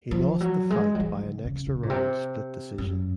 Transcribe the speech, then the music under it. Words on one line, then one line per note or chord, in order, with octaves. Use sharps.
He lost the fight by an extra round split decision.
F3
F#3
G#3
F#3
G#3
C#3
C#3
C#3
A#2
C3
F#2